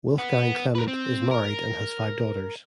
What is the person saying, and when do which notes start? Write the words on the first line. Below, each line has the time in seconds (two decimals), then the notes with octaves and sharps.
Wolfgang Clement is married and has five daughters.
0.18 B3
0.75 A#4 B4
0.88 C4
1.31 A#4